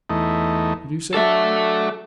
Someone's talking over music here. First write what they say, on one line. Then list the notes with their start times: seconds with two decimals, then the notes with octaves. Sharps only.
"What did you say?"
0.10 E2 A3 D#4
1.14 F#3 D4 A4 E5